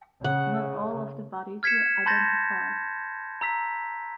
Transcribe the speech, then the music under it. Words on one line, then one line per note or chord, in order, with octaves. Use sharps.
Not all of the bodies were identified.
C#3 F#5
F6 G#6 B6 C#7 E7
A5 B5 C6 G6 A6 A#6
A#5 E6 B6